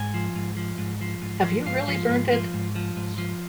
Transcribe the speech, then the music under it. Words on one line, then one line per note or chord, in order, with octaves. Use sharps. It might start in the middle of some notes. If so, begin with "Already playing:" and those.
Have you really burnt it?
Already playing: G#2 G#5
F3
G#2
F3
G#2
F3
G#2
F3
G#2 F5
F3
G#2
F3
G#2
F3
G#2
F3